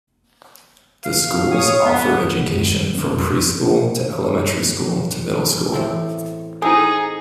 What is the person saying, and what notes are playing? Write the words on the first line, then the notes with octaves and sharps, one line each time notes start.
The schools offer education from Preschool to Elementary School to Middle School.
F5
C#5 D#6
B3
E1 D#2
F#2 G#3
D#3 F#3 G3
A#3 C#4
A#1 F2 B2
E2 A2 C4
C4 D#4 E4 G#4 A4 G#5